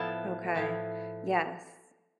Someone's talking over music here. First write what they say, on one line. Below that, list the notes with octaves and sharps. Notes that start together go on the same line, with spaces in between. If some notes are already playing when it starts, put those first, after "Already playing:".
Okay. Yes.
Already playing: A2 F3 B3 E4 A5
A2 F3 B3 E4